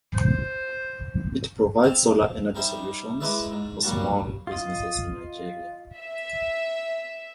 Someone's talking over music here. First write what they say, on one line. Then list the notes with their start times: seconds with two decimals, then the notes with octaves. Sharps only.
It provides solar energy solutions for small businesses in Nigeria.
0.15 C5
1.83 C4 C5 F5 A5
2.55 G3 D#4 C5 E5
3.20 G#3 D#4 E4 B4 D5 E5
3.52 G#2
3.82 F#2 A#2 G3 F#4 A5
4.47 F4 D#5
5.96 E5